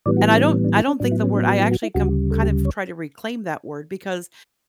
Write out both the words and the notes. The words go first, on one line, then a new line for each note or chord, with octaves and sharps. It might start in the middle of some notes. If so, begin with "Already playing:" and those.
and I don't I don't think the word I actually come kind of try to reclaim that word because
A2 E3 G3 B3 D5
F#4
E4
C#4
D4
C#4
D4
E4
C#4
A2 F#3 B3 D4
E4
C#4
D4
F#4
E4
F#4
E4
D2 C#3 G3 F#4
A4
G4
C#5